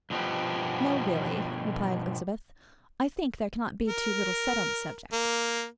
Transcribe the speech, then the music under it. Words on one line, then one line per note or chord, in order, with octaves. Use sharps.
"No really," replied Elizabeth; "I think there cannot be too little said on the subject."
G2 B2 F3 B3 G4
A#4
A#3